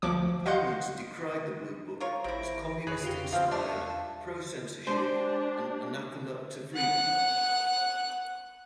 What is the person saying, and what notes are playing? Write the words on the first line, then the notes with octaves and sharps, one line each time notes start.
Opponents decried the Blue Book as Communist-inspired, pro-censorship, and anathema to freedom.
D2 F3 D6
D#5 F5 F#5 C6 G6 C#7
F4 A#4 C#5
G#1 C3 E4 A#6 D7
F2 G#4 B4 C#5 F#6
F4 G4
E2 F3 C4 F5
G3 A3 D4 E5 F5 A5
G#3 D4 G4 C5
F#5 F#6